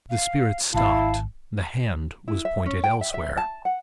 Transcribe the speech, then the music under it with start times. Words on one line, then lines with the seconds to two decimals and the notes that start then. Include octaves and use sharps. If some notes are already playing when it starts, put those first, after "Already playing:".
The Spirit stopped; the hand was pointed elsewhere.
0.10 F5
0.74 G#1 E4 F5 A5
2.28 E4
2.45 E5
2.66 C#4
2.84 G5
3.01 E5
3.14 E5
3.37 A5
3.65 F#5